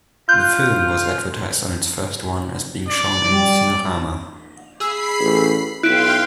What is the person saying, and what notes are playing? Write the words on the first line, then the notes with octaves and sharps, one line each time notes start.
The film was advertised on its first run as being shown in Cinerama.
F4 F#6 G6
D5
G3
G#4 B5 E6 C7
A1
B1 E4 F5 G5 C6 F#6 B6 D7